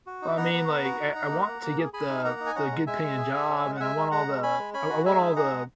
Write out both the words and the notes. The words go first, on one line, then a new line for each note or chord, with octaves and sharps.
Well, I mean, like, I I want to get the the good paying job, and I want all the I I want all the
F#4
D#4
B3 F#5 A#5
B3
B3
F#4
D#4
D#4
A#3
A#3
A#3
G#4
G#4 G#5 B5
D#4
A#3 F#5 A#5
D#4
G#5
C#4 F#5 A#5
G#3
G#3 E5 G#5
G#3
G#4
G#4
C#4
G#3
F#5
G#3 E5 G#5
G#3
G#3 F#5 A#5
G#3
C#4 G#5 B5
G#3
C#4 G#5 B5
F#4
G#3 E5 G#5
D#4
G#4 F#5 A#5
G#3